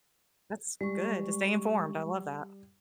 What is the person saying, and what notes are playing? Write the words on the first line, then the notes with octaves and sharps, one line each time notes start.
That's good, to stay informed, I love that.
G3 G#3 C#6